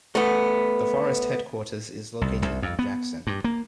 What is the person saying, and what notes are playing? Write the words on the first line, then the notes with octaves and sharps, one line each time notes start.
The forest headquarters is located in Jackson.
A3 B3
C2
C2
F2
B3
G2
A#3